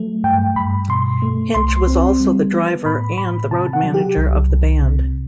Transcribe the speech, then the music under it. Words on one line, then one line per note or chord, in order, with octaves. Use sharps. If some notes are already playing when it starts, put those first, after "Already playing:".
Hinch was also the driver and the road manager of the band.
Already playing: F#3 A3
G2 G5
G2 B5
B2 C6
A3
C2 C6
C4
G3
B3
A2 B5
A2 B5
C3 A5
F#5
F#3
G4
C2
C2
C3